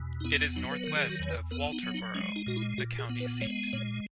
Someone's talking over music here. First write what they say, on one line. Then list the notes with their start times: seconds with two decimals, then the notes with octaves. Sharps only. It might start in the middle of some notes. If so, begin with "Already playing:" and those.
It is northwest of Walterboro, the county seat.
Already playing: E2 B2
0.21 D#4
0.25 B3 E4
0.56 F#3 D#4
0.71 B4
0.84 D#3 A#4
0.96 G#4
1.09 F#4
1.20 E2 C#5
1.31 B4
1.51 B3 A#4
1.72 D#4
1.83 F#3
1.94 D#4
2.15 G#3 C#4
2.36 D#4
2.46 A#2 F#4
2.56 E4
2.78 A#2 F#4
2.99 G#4
3.09 B3
3.20 B4
3.41 G#3 C#5
3.73 A#2 C#5